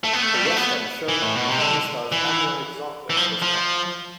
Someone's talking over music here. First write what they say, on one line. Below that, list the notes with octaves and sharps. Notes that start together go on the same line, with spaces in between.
The West End show currently stars Andrew Alexander as Hannay.
A3
B3
A3
G3
A3
B3
E3
A2
B2
C3
D3
E3
E3
F3
F3